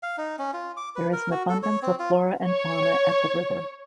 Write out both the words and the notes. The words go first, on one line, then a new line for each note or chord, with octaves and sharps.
There is an abundance of flora and fauna at the river.
F5
D#4
C#4
F4
D6
B4
A#4
F#4
A4
C#5
C4
F4
C#5